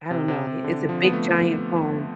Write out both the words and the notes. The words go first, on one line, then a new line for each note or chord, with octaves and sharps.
I don't know h it's a big giant phone.
C3
C3
C3
D3
F3
B3
A3